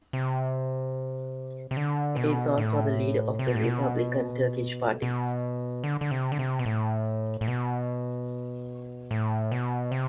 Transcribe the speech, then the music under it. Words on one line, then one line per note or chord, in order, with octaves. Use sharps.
He is also the leader of the Republican Turkish Party.
C3
C3
D3
B2
A2
C3
B2
A2
B2
B2
D3
D3
C3
D3
C3
B2
A2
A2
B2
A2
B2
C3